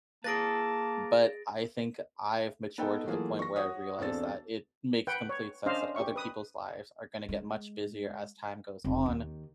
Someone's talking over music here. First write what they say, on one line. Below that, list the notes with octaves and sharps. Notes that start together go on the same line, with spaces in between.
But I think I've matured to the point where I realized that it makes complete sense that other people's lives are gonna get much busier as time goes on
A#3 G#4 B4 A5 A6 A#6 D7
B3 D#4 A4 D#5 G5
E3 F#3 A3 A#3 F4 G#4
C#6 A#6
F#4 C#5 D#6
E1 C4 D4 A4 A6
B4 F#5 G5
C#5
C#4 D4 C5 D5 D#5 F5
G4 C#6
B4 D#6
G#3
F1
D#2